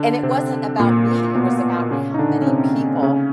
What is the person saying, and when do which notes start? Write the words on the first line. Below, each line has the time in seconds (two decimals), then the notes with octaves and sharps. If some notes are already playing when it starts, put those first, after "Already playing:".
and it wasn't about me, it was about how many people
Already playing: D3 D4
0.23 C3 C4
0.79 A#2 A#3
1.35 B2 B3
1.91 C#3 C#4
2.14 D#4
2.19 D3 D4
2.42 C#4
2.46 C3 C4
3.03 C#3 C#4